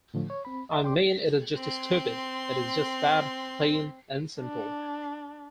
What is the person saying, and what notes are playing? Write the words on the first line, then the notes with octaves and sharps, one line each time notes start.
I mean it is just stupid, it is just bad, plain and simple.
A2 D3 F3 A3
C#5
C4 B5
D#5 E5 A5 A#5 C6
D5 G5 C6 D6
C4 C6
D4